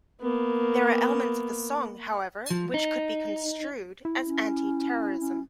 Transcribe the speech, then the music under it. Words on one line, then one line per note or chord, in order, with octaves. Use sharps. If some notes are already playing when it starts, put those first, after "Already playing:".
There are elements of the song, however, which could be construed as Anti-Terrorism.
A#3 B3
F3
D#4
E4
C#4
C#4